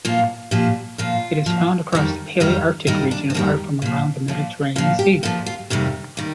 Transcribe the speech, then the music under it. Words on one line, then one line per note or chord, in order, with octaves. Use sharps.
It is found across the Palearctic region apart from around the Mediterranean Sea.
A#2 F3 F4
A#2 F3 G4
A#2 F3 F4
A#2 F3
F2 D#3 G3
F2 D#3 G3 D#4
F2 D#3 G3 D#4
D4
C4
F2 D#3 G3 A#3
A#2 F3
A#2 F3
A#2 F3 F4
G4
A#2 F3 A4
F4
F2 C3 D#3 G3
D#3 G3